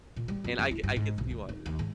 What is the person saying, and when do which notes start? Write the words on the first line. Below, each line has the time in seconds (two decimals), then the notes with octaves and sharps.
and, I cou I could see why it is.
0.16 A#2
0.28 G3
0.44 F2
0.59 F#2
0.71 E4
0.83 G2
0.96 G#2
1.18 B1
1.31 D2
1.49 D#4
1.66 D#2
1.79 G#2